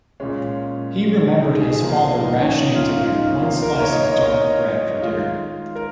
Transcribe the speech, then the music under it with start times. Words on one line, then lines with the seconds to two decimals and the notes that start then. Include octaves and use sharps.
He remembered his father rationing to him one slice of dark bread for dinner.
0.20 A#2 G#3 C#4
1.40 D#4
1.61 G#4
1.80 A#2 F3 A#3
2.21 D#4
2.41 C#4
2.62 D#4
2.75 F4
2.88 D#4
3.02 F4
3.15 D#4
3.41 D#3 A#3 F4
3.62 A#4
3.75 A#4
3.82 C#5
3.92 D#5
4.03 C#5
4.12 D#5
4.22 C#5
4.97 D#4
5.02 D#3 G#3 F4
5.76 A#4